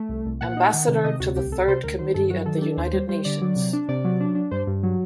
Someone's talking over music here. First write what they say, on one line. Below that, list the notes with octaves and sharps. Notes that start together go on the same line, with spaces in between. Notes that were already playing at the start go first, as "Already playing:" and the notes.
Ambassador to the Third Committee at the United Nations.
Already playing: A3
C2
C2
A#2 F#5
D#4
D#3
C3
C3 D#5
D2 F#4
C2 G4
C2 A4
C3 C5
D2 A#4
D#3 C5
G2 A4
F#3 F#4
D#3 A4
G4
D4 A4
D#2 C5
G3 C5
G3 C5
D3 D5
F#3
C3
D4
C3 D5
F#3
D4
D4
G2 C5
G2
F#3